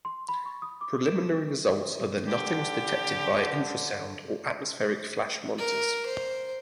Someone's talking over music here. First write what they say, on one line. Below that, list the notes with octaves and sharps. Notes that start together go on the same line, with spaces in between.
Preliminarily results are that nothing was detected via infrasound or atmospheric flash monitors.
C6
B5
C#6
D#6
D6
E7
D3 G4
A#4
C5